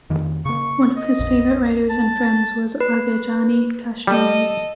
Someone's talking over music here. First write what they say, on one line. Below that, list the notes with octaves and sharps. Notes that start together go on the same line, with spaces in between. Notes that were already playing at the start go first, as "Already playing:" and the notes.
One of his favourite writers and friends was Aghajani Kashmeri.
F2 D#3
C#3 A#3 C#6
D#5
A#1 F2
A5
B4
G3 A4 D#5